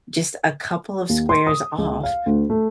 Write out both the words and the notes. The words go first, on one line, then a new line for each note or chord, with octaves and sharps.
just a couple of squares off,
D#2
C6
D#6
C#2
F5
D2
A3